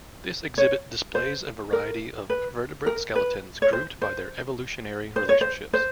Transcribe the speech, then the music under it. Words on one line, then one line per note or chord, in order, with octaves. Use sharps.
This exhibit displays a variety of vertebrate skeletons grouped by their evolutionary relationships.
C#5
C5
A#4
B4
A#4
B4
C#5
C5
C5
C5
C#5
C5
C5